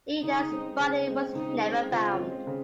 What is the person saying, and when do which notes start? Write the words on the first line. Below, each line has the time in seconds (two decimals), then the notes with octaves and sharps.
Ida's body was never found.
0.23 C#3 D#4
0.50 G#3 C4
0.79 C#3
1.07 G#3 C4
1.35 C#3 D#4
1.64 G#3 C4
1.91 C#3 F4
2.20 G#3 C4
2.47 C#3